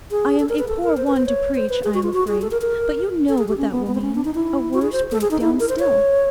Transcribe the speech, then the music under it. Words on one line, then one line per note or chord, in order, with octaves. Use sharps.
I am a poor one to preach, I am afraid; but you know what that will mean--a worse breakdown still.
G#4
A4
A#4
B4
A4
A#4
C5
B4
C5
C#5
C5
B4
G#4
F#4
F4
F#4
G#4
A4
A#4
A#4
A4
G#4
G4
C#4
B3
B3
C4
C#4
D4
D#4
E4
F#4
G#4
C5
A4
G#4
D#4
E4
A#4
C5
C#5